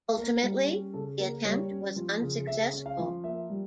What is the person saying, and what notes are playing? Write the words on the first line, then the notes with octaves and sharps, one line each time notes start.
Ultimately, the attempt was unsuccessful.
A#3 A#4
G3
C#4
C#3 A4
A#3 A#4
G3 C#5
C#4
F3
C#3
C#3 E5
C#4
F5
F3
A#3 E5
G3